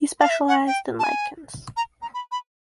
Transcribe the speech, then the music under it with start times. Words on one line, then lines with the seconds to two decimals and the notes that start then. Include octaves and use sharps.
He specialized in lichens.
0.20 F5
0.30 E5
0.48 F#5
0.67 G5
0.99 A5
1.04 G#5
1.77 A#5
2.02 A#5
2.14 B5
2.32 B5